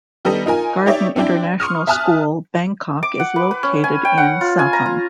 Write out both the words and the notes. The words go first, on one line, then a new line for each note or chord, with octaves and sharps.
Garden International School Bangkok is located in Sathon.
D#3 G3 B3 D#4 A4 D#5
D#4 F4 A#4 G#5
D#4 G4 C#5 D5 E5
C4 D4 E4 D5 G5
C6 C#6 D#6 F6
E5 G#5 A5 D#6 F6 F#6
D6
F#5
B4
B4
C#4
G#5
G5
F#5
F4
G#5
A#5
F4